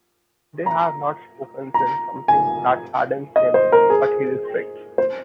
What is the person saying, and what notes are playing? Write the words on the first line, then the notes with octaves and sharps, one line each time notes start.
They have not spoken since, something that saddens him but he respects.
A#5
A#5
G#5
D#5
C5
A#4
G#4
C5